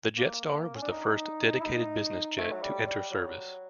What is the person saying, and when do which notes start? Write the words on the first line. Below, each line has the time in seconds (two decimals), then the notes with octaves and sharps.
The JetStar was the first dedicated business jet to enter service.
0.17 A#3
0.75 C#4
0.82 D4
0.91 D#4
1.60 E4
1.64 D#4
2.38 A3
2.51 F#3
2.62 G3
2.87 G3
3.11 F#3